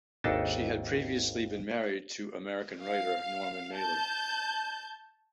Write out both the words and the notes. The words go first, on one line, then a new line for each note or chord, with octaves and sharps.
She had previously been married to American writer Norman Mailer.
G#1 D#2 D4 D#4 A4 A5
F5
A5 G6